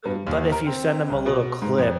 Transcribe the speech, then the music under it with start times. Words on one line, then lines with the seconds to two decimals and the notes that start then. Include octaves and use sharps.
uh, but, if you send them a little clip,
0.05 G2
0.27 D#2
0.52 A#4
0.66 C4
1.10 C2
1.26 B2
1.62 G#2
1.78 F2